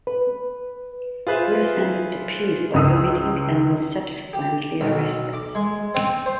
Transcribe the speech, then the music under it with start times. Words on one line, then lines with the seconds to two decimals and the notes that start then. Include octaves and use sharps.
Brus ended the piece by vomiting and was subsequently arrested.
0.07 B4
1.27 F4 G#4 B4 C5 E5
2.74 C#2 D#6 E6
4.33 G4
4.81 B1
5.33 D6
5.55 G#3
5.94 C4
6.26 C5